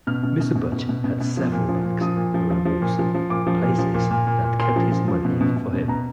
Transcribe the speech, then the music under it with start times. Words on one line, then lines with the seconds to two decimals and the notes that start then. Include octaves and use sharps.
Mr. Butch had several "banks" around Allston, places that kept his money for him.
0.07 B2 F6
0.23 B2
0.40 B2
0.55 B2
0.72 B2
0.89 B2
1.04 B2
1.20 B2
1.37 F3
1.52 A#2
1.69 F3
1.85 A#2
2.01 F3 D#6
2.17 A#2
2.34 F3
2.50 F3
2.65 F3
2.82 A#2
2.99 F3
3.14 F3
3.30 A#2 D6
3.47 F3
3.63 A#2
3.78 F3
3.94 A#2
4.11 A#2
4.27 A#2
4.44 A#2
4.59 A#2 C6
4.76 F3
4.92 F3
5.08 F3
5.25 B2
5.41 B2
5.56 B2
5.73 B2
5.88 B2 A#5